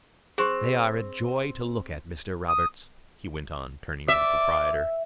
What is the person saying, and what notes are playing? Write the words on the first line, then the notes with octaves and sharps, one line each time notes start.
"They are a joy to look at, Mr. Roberts," he went on, turning to the proprietor.
C4 G#4 C5 C#6
D#6
D5 E5 D6